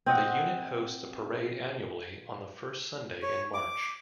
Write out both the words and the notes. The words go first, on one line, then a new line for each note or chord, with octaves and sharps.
The unit hosts a parade annually on the first Sunday in March.
C4 D#5 F#5
C#5
D6